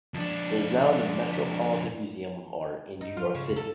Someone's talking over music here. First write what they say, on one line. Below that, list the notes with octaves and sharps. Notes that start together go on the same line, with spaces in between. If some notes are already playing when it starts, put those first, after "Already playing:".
It is now in the Metropolitan Museum of Art in New York City.
F2 D4
D#4
F4
C#3
A4